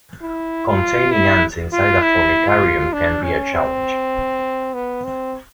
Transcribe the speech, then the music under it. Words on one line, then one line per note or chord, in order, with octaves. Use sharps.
Containing ants inside a formicarium can be a challenge.
E4
F4
E4
F4
E4
F4
D4
C#4
C4
B3
C4